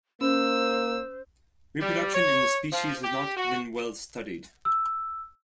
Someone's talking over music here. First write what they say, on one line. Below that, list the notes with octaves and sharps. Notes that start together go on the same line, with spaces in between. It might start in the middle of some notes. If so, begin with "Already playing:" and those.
Reproduction in the species has not been well studied.
A#3 C#4 C5 E6
G3
C#5
F3
G4
F#4
E6